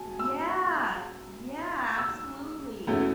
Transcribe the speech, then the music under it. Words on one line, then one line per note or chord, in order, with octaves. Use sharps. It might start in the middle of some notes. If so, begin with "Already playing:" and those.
Yeah, yeah, absolutely.
Already playing: B2 G#5 A5
E6
E6
E2 B2 A3 C#4